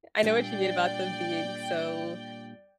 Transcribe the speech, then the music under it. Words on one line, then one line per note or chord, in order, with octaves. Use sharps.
I know what you mean about them being so
A#2 G3 D4 D5 G5